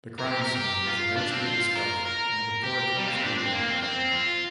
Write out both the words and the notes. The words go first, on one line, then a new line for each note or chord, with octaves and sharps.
The crime scene was eventually discovered and authorities were notified.
A#4
G4
A#4
G4
F4
D4
C4
F4
A#4
A#4
G4
G3
A#3
C4
D4
C4
A#3
C4
C4
F4